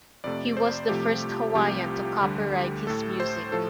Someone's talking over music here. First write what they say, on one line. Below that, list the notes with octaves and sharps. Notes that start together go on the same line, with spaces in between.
He was the first Hawaiian to copyright his music.
F2 C3 A3 D5
C5
C2 C3 F3 A3 G4
C2 C3 F3 A3 G4
D2 D3 G3
A2 A3 A4
C5
A2 F3 A3 A4